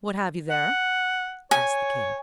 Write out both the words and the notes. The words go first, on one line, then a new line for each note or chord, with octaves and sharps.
"What have you there?" asked the king.
F#5
C#5 G#5